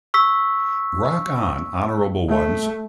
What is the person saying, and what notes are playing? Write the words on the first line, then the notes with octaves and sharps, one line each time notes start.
Rock On Honorable Ones!!
C#6 E6 B6
A3